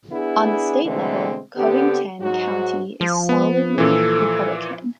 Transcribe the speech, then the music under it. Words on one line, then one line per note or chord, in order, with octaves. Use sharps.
On the state level, Covington County is solidly Republican.
B3 D4 E4 G#4
B2 D3 E3 G#3 A3 C4
D3 B3 C4 G4
G#2 F#3 F#4
F3
B3
A#2 E3 A4